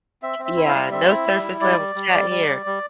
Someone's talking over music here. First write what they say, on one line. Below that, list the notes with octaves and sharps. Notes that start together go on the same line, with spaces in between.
Yeah, no surface level chat here.
C4 E5
C4
E5
E4
F5
G3
C4 E5
E4
G3
E4
G3 D5
G3
G3
G3
G3
G3
G3